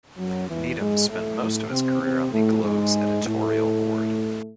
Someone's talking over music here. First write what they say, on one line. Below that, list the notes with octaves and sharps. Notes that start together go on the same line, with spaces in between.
Needham spent most of his career on the "Globe"s editorial board.
F#2 F#3
E2 E3
G#2 G#3
A2 A3
A2 A3
C3 C4
C3 C4
A2 A3
G#2 G#3
A2 A3